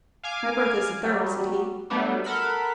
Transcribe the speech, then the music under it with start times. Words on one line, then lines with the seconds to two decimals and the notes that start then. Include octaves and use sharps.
"My berth is the third," said he.
0.24 F5 G#5 D6
1.04 F#3 G3
1.90 F#3 G3 A3 B3 D4
2.24 A4 A#4 F#5 B5